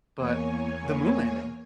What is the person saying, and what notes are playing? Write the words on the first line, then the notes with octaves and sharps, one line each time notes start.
but the moon landing.
E2 A#3 C#5 G#5